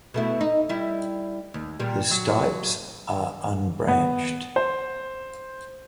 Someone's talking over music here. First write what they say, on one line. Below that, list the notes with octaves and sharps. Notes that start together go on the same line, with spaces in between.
The stipes are unbranched.
B2 A3 E4
D#4
G3 E4
D#2
A#2 G3
F#3
B3
C5